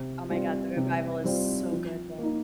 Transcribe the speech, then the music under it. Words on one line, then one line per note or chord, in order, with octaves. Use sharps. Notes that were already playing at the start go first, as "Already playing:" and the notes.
Oh my god, the revival is so good, though.
Already playing: C3
G3 C4 F4
C3
G3 C4 F4
F3
A#3 D#4